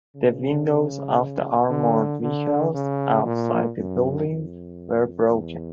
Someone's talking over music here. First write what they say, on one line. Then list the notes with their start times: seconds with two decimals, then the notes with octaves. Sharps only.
The windows of the armored vehicles outside the building were broken.
0.16 C#3
1.70 D3
2.22 D3
2.74 C#3
3.26 A#2
3.77 F#2
4.30 F2
5.33 E2